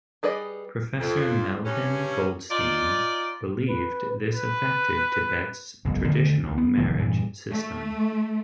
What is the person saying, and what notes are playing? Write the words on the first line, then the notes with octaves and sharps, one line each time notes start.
Professor Melvyn Goldstein believed this affected Tibet's traditional marriage system.
G3 G#4 B4 D5 D#5
F2
G2 C#4
D#4 F4 D5
B4
B4
F#1 B1 G#2
D3 D#3 A3
D2
B3
F1 D#3 F3
G2 A#2 E3
A3